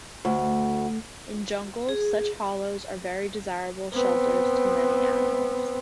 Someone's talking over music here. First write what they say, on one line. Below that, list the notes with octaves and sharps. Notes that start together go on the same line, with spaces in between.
In jungles, such hollows are very desirable shelters to many animals.
D2
G#4
B3 C4